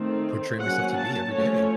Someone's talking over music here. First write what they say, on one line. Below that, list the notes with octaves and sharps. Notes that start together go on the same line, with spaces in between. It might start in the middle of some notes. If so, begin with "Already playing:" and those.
portray myself to be every day.
Already playing: D#3 A3 C4
F#3 A#3 C#4 F#5
A5
F3 A3 C#4 C#5